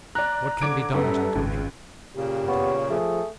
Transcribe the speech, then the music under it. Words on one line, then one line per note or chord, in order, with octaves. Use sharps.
"What can be done, John Carter?" he continued.
D5 A#5 F#6
D3 D6 G#6 D7
F#2 G3 B3 A4
G#1 C#2
A#2 C#3 G4
B3 C#5
F3 A3 G#4